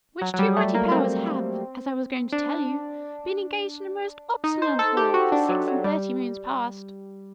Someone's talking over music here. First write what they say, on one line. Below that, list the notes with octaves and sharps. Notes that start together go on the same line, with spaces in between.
Which two mighty powers have, as I was going to tell you, been engaged in a most obstinate war for six-and-thirty moons past.
F#3
F#3
G3
A3
A#3
C4
D4
D#4
C5
A4
G4
F#4
D4
F#3
F#3
G3